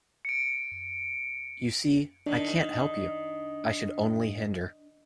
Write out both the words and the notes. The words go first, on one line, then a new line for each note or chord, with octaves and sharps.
You see, I can’t help you; I should only hinder.
C#7 D7
D#3 D4